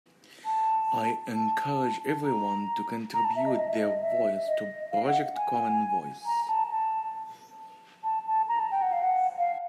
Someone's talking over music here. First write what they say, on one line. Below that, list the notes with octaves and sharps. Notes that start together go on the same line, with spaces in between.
I encourage everyone to contribute their voice to Project Common Voice.
A5
A5
A#5
A#5
A5
E5
D#5
D#5
E5
D#5
E5
D#5
F5
F#5
G#5
A#5
A5
A5
A5
A5
A#5
A5
G5
F#5
F5
F#5
F5